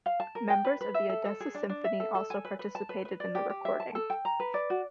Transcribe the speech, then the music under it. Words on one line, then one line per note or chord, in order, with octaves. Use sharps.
Members of the Odessa Symphony also participated in the recording.
F5
A5
A#4
G5
B4
B4
E5
A4
A4
G#4
D4
D4
E5
A4
A4
G#5
B4
B4
A5
B4
B4
D5
G4
G4
E5
A5
A4
G5
A#5
B4
D5
F#4